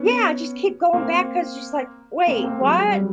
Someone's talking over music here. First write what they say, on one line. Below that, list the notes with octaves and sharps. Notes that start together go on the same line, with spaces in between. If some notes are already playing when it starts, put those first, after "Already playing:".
Yeah, I just keep going back 'cause she's like, "Wait, what?"
Already playing: B3 C#4
A#3 C4
A#3 C4
A#3 C4
F#3 G#3
G#3
G3
F#3